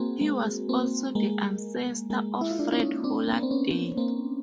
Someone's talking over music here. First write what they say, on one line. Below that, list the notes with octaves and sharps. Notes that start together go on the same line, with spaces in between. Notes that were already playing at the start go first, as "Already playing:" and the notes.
He was also the ancestor of Fred Holland Day.
Already playing: A#3 C4 F#4 G#4
G#3 A#3
A#3 C4
G#3 A#3
G#3 A#3
E4
F4
D4 E4
C#4 D#4
C4 D4
A#3
B3
C4
B3 C#4
A#3 C4